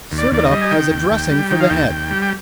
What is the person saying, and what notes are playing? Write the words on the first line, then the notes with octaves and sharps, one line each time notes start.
Serve it up as a dressing for the head.
D#2
D5
D#2 D5
D#5
G3
G#5
D#3 G5
D#2
D#2
G3
D#3 G5
F5
D#2 G5
D#2
G3
G5